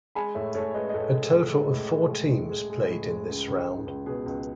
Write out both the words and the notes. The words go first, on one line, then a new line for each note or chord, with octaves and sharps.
A total of four teams played in this round.
G#3 G#5 B5
A2 C#5 E5
A2 A4 C#5
G#3 B4 D#5
D#5
A2 A4 C#5
G#3
A2
G#3
A2
G#3
G#3
G#3
G#3
G#3
A2
G#3
C#2
C#2
C#2
C#2
B2 G#4 B4
C#2